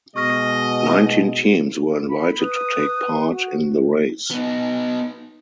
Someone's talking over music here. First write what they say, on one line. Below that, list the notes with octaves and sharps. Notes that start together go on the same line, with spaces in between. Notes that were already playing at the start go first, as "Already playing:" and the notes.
Nineteen teams were invited to take part in the race.
B2 G#3 D#5 C#6 F6 A#6
B5
B4 D#6
F#4
B3 D#4